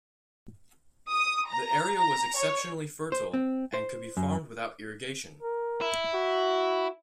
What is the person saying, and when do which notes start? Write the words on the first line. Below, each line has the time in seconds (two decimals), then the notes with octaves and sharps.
The area was exceptionally fertile and could be farmed without irrigation.
1.11 D#6
1.49 A#5
2.00 A#5
2.37 C#5
3.12 C5
3.34 C4
3.74 C5
4.17 F#2
5.42 A#4
5.81 E4
6.14 F#4